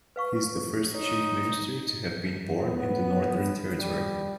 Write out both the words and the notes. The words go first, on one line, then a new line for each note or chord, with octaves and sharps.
He is the first Chief Minister to have been born in the Northern Territory.
B4 F5 C#6
D#4 C#5
B3
G3